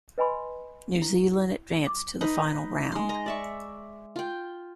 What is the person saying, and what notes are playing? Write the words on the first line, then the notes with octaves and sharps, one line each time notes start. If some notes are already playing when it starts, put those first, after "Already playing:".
New Zealand advanced to the final round.
B4 D#5 G#5 B5 C6
E4
D6
D#4 B4 D#5
G#3 C6
D#5 A#5
D5 E5 C#6
F4 G5